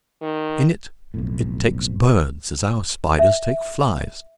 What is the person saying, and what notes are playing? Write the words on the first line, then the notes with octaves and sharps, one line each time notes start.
In it it takes birds as our spiders take flies.
D#3
B1 F2 A2
E5